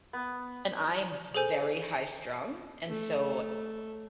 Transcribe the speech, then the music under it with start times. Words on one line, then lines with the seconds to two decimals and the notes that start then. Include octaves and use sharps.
and I'm very high strung, and so,
0.13 B3
1.35 G#4 A4 C5 G#5 G6
2.88 A3